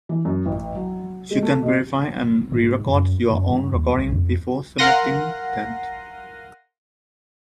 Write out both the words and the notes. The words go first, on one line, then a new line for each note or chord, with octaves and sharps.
You can verify and re-record your own recordings before submitting them.
E3
F#2
A1
F#3
G#3
A3
B2
G#2
F#2
F#2
G2
D#2
C2
F2
A#4 F5 F#5 C6 A#6 D#7